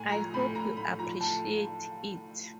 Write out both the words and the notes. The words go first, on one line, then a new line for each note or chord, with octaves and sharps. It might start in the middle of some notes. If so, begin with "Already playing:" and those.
I hope you appreciate it.
Already playing: A2 G#5
F3 A#5
A2 B5
A2 A#5
A2 B5
F3 A#5
A2 A5